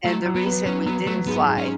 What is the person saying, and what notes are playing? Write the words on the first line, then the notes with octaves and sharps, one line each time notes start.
and the reason we didn't fly
F#3 A3
F#3
B3
B3
F#3 C#4
F#3 B3
F#3 A3
G#2 B3
G#2
C#4